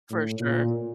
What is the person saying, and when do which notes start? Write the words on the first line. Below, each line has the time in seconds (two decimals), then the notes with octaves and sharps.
For sure.
0.10 A2
0.40 A#2